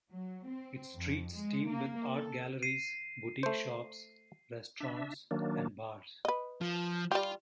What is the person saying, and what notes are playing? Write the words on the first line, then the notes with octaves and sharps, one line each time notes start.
Its streets teem with art galleries, boutique shops, restaurants, and bars.
F#3
C4
F2
G#3
A#3
A4
C7 D#7
A3 C5
D4 E5
D#3 F#3 A#3 D4
B4 D#5
F3
G3 F4 G4